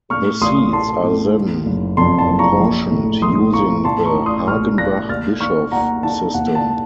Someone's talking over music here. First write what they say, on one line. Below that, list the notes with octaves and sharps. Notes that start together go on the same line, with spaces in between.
The seats are then apportioned using the Hagenbach-Bischoff System.
A2 C#6 F6
A1 C6 D#6
A2 A5 C6
A2
D#3
F#1
F2 A5 C6
A5 C6
F#1
A#5 C#6
A#1
A2
A#1 C6 D#6
A2 A#5 C#6
A2 A5 C6
A#5 C#6
A1
C6 D#6
A1 C#6 F6
A1 F#6 A#6
D#2 F6 A6
D#3 C#6 F6
D#2 F#5 A#5
D#3 A5
D#2 F#5
A5